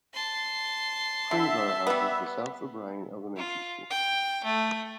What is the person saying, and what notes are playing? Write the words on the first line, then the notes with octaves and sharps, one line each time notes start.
Primghar houses the South O'Brien Elementary School.
A5 C6
D3 E5
G3 B3
F4
G5
A3